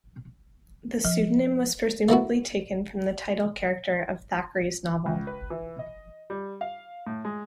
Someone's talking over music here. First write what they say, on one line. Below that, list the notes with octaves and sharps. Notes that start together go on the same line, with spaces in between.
The pseudonym was presumably taken from the title character of Thackeray's novel.
F3
A3 A#3 E4 F#4
C#2
B4
E3
D#5
G3
F5
A2
G#3